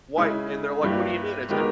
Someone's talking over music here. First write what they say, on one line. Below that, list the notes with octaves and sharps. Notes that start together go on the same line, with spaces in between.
Why, and they're like, "What do you mean?" I said,
C#3 G#3 C#4 E4
G2 G3 A#3 E4 G4
D#3 G#3 B3 G4 A#4